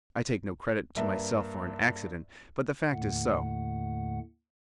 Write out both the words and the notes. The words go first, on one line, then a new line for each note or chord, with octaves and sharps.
I take no credit to myself for an accident, but the fact is so.
G2 A#3 E5
D#2 A2 D3 A3 F#5